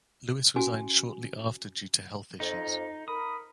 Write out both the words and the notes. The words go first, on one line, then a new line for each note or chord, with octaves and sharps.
Lewis resigned shortly after due to health issues.
C#4 F#4 G#5
F2 D#4
A#4 B5 D#6